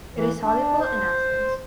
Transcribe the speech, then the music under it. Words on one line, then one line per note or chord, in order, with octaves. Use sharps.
It is soluble in acids.
E3
D4
C5